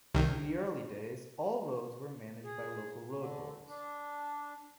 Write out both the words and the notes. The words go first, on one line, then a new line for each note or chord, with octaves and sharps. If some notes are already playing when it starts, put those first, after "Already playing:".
In the early days all roads were managed by local road boards.
C2 D#3
G#4
D3
D4